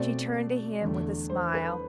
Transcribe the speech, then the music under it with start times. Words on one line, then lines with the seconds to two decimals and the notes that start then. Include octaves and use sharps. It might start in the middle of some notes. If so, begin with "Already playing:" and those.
She turned to him with a smile.
Already playing: B2 A3 C4 D5
0.82 E2 D3 A3
1.30 C5
1.54 B4